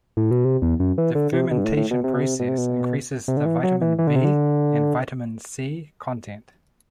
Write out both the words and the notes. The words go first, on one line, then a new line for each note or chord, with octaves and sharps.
The fermentation process increases the vitamin B and vitamin C content.
A2
B2
C3
E2
F#2
E3
D3
C3
B2
G2
A2
A2
B2
C3
B2
C3
B2
C3
B2
C3
D3
E3
F#3
E3
E3
D3
C3
D3